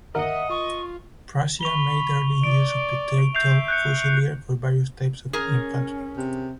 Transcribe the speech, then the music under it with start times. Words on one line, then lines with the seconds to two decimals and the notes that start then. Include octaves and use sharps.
Prussia made early use of the title "fusilier" for various types of infantry.
0.15 G1 D#2 A#4 D#5 E5 F#5
0.50 F4 C#6
1.61 B5 C#6 F7 G7
2.44 D5 D7
3.35 E5 G6 C7 F7
3.68 F#6 G6 C#7
5.33 C#4 G#4 A#4
6.17 C3